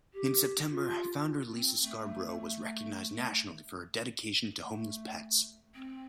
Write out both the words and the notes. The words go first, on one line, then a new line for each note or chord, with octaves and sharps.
In September, founder Lisa Scarbrough was recognized nationally for her dedication to homeless pets.
G4
F4
C4
A3
A3
C4